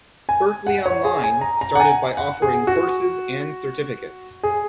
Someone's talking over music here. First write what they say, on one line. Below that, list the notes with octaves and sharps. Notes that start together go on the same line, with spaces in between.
Berklee Online started by offering courses and certificates.
G#5
F#5
C#5
G#4
G#5
A#5
A#5
F#5
G#5
F#5
G#4
F#4
G#4